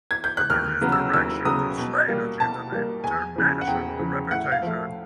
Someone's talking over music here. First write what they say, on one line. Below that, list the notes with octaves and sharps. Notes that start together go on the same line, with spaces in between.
Under his direction the Slade achieved an international reputation.
G#6
G6
F#6
D#2 F6
C#3 F#3 B3
E6
D#2 E6
C#3 F#3 B3 D#6
B2
G3 A#3
B2 A5
G3 A#3
E2 G#5
C#3 F3
F#5
E2 G5
C#3 F3
A2 F#5
F5
F3 A3